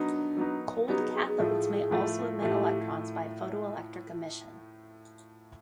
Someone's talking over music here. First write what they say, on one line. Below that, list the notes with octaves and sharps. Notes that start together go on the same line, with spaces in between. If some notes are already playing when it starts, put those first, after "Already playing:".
Cold cathodes may also emit electrons by photoelectric emission.
Already playing: F#3 B3 D4 D#4
F#3 B3 D#4
F#3 B3 D#4 G4
G#4
G#4
G#4
A2 F3 A3
A2 F3 A3
A2 F3 A3 G4